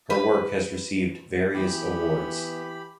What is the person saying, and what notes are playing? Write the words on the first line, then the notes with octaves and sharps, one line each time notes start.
Her work has received various awards.
B4
E3 B3 G4 B5